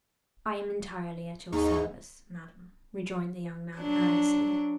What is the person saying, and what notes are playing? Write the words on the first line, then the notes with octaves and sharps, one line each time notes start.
"I am entirely at your service, Madame," rejoined the young man earnestly.
D#2 G#2 D#4 C#6
F#3 D4